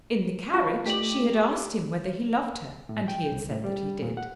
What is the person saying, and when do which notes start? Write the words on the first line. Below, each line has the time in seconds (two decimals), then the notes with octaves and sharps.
In the carriage she had asked him whether he loved her, and he had said that he did.
0.54 F4 F5 A5
0.86 A3 G4 D5 D#5 B6 F#7
2.89 A2
3.08 G5
3.32 C2
3.51 A2
3.64 G3
4.02 A#2
4.17 F#5